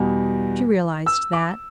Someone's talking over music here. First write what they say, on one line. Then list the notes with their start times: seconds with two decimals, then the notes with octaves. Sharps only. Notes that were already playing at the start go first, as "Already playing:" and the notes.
She realized that.
Already playing: E2 B2 G3
1.06 E6
1.33 D6